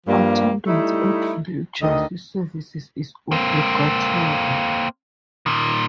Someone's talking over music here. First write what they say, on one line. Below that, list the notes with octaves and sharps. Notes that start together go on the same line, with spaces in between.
Attendance at religious services is obligatory.
G2 F3 G3 A#3
G3 A3 D#4 E4
D2 D3 D#3 D#5
A#3 C4
A#2 D#3